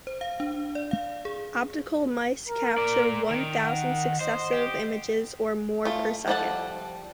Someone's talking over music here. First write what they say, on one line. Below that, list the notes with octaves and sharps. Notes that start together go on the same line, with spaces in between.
Optical mice capture one thousand successive images or more per second.
C5
F5
D4
D5
F5
G#4
A#4
A#3 D5
D#3
F#5
C5 D#5
G4
A3 F4
F3 G3 A4 F#5 A5